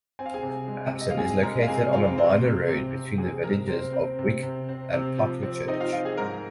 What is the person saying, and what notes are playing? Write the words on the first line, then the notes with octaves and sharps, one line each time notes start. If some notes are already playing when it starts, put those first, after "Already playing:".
Abson is located on a minor road between the villages of Wick and Pucklechurch.
C4 G#5
F5
G#4 G#5
C3
G#3
C3
D#5
F5
C3 G#4 G#5
G#3 A#4 A#5
F5
C3 G#4 G#5
C4 F4 F5
C3 C4 C5
C3
C3
C3
C3 G#4
C3 A#4
C3 C4 C5
C4
C3
C3
C4
C3
F3
C4
C4 D#4 D#5
F4 F5
F3 F4 F5
G#4 G#5
G#2 A#4 A#5